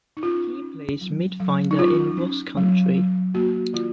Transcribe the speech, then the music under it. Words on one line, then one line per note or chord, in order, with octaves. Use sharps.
He plays midfielder in Ross Country.
D#4
C#4 F4
C#4
F#3
F#3
D#4
C#4 F4
C#4
F#3
F#3
A#3 F#4
D#3 F4